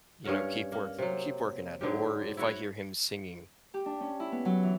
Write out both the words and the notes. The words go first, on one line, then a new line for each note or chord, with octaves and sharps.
You know, "Keep work keep working at it." Or if I hear him singing,
G2 C#4 A#4 F#5
A#3
C3 F#3
G#2 D3 F#3 G4
E4 F#4 C#5
G4
D4
C#4
E4
B3
F#3
E3